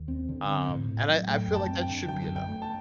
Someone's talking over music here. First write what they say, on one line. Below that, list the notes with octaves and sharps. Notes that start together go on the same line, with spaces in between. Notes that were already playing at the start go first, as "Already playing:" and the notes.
Um, and I I feel like that should be enough.
Already playing: D#2
C4
D3
C4
A2
A2
F#3
A3 G5
F#2
A5
C4
G5
D3
F#3 G5
F#2
G5
A3
A5